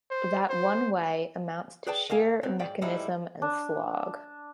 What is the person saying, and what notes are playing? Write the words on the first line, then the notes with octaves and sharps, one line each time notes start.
That one way amounts to sheer mechanism and slog.
C5
C5
G#4 B4 D5 G5 A5
D#2 A#4 F5 G#5
B3 C4
G#2 D5 G5
A2 G3 G#3 D#4 E4
D4